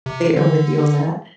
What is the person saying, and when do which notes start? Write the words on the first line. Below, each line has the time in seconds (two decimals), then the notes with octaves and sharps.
am with you on that.
0.06 C3
0.36 D3